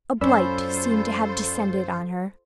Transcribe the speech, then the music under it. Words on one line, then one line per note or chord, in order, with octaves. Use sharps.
A blight seemed to have descended on her.
F#2 C#4 F4 A4 C5 D5 B5 E6